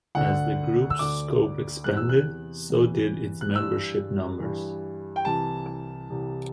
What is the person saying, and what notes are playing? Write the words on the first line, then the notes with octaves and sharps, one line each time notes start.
As the group's scope expanded, so did its membership numbers.
D2 D3 F#5
E6
D2 D3 D6
E2 C3 E3 F#6
E6
F#6
E2 C3 E3
F#6
G2 E3 E6
G2 E3
G5
C2 C3 E3 A5
C2 C3 E3